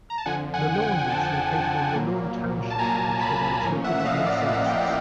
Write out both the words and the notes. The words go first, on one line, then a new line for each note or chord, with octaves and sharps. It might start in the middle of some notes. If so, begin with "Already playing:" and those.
Leland is located in Leland Township, which provides local government services.
A#5
A5
F2 D3 F3 F#5 G#5
F#5 G#5
G5
F#5 G#5
G#5
F2 D3 F3 G5 A5
C2 A#2 F#3 A#3
A5
C2 A#2 F#3 A#3 G#5 A#5
A5 B5
A1 A2 F3 A#3 C#4 G#5 A#5
E5 F#5
E5
D#5 F5
D5 E5
A1 A2 F3 A#3 C#4 D5 E5
G5
F#5